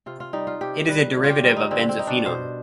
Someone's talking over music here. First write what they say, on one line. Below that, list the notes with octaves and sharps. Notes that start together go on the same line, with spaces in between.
It is a derivative of benzophenone.
C3 F4
F4
G3 D#4
F4
C3 G4
G3 B4
D3
F4
G4
G3 F4
D#4
D3 C4
C4
G3 D#4
D4
B2 C5